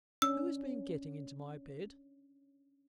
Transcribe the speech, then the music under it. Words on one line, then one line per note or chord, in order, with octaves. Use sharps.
"Who has been getting into my bed?"
C#4 D4 E6